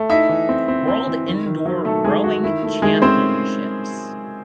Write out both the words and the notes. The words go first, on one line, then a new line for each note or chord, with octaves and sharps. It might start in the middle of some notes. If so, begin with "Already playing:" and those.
World Indoor Rowing Championships.
Already playing: A3
D#4 E4 E5
E3
C4
C4
C4
E3
D#3
D#3
F#3
D#3 A3 A4
D#3 G#3 G#4
D#3 F#4
D#3 E4
A3
D#3 G#3 G#4
C4 C#4 C5